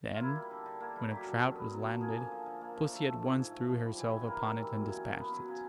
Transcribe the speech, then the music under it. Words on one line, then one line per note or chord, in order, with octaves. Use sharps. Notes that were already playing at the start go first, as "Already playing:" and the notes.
Then, when a trout was landed, pussy at once threw herself upon it and despatched it.
F4
A#3 E4
G3
D3
D3
A#3
G3
F#3 G4
D3
F#2
B3
F#3
D3
A#3 G#4
F3
D3
D3
A#3
F3
A3 A4
F3
G#2
G#2
A3
F3
G3
E3
G#2
B4
A#3 A#4
G3
E3
F#3
C#3
F#2
B3 B4
F#3
C#3